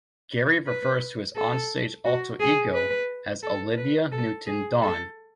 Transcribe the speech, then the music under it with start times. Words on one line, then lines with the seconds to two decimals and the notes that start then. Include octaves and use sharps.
Gary refers to his onstage alter-ego as "Olivia Newton-Dawn".
0.67 B4
1.36 A4
2.05 F#4
2.40 G#4
2.74 B4
3.43 A4
3.77 B4
4.12 A4
4.46 G#4
4.82 A4